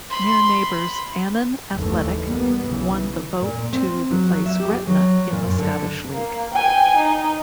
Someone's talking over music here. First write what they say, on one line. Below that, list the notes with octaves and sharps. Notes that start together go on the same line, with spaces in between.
Near neighbours Annan Athletic won the vote to replace Gretna in the Scottish league.
B5 C6
F#1 D#2 E3 A3
G3 A#3 B3
B1 C#3 E3
A#2
C4
F#3
F#3
E5
G4
G#4
F#3
A#2
F#2
D3
A#3
G5 G#5
D#4